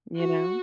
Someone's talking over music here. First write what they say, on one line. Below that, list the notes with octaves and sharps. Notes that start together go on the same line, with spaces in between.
you know?
F#4